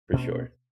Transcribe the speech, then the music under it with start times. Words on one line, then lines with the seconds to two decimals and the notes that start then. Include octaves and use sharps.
For sure.
0.13 B2 A#3 C#4